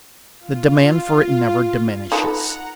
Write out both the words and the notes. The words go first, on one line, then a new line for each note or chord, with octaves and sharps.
The demand for it never diminishes.
F4
D#4 A4 B4 F#5 A#5